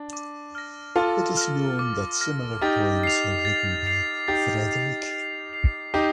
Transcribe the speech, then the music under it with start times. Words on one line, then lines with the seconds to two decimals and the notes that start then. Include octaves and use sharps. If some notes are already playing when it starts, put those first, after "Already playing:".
It is known that similar poems were written by Frederick.
Already playing: D4
0.13 D6
0.55 F6 A#6
0.96 F4 A4 D6
1.37 F6 A#6
1.79 D6
2.21 F6 A#6
2.62 D#4 G4 A6
3.03 C7 F7
3.45 A6
3.86 C7 F7
4.28 D#4 G4 A6
4.69 C7 F7
5.11 A6
5.53 C7 F7
5.94 D#4 G4 D6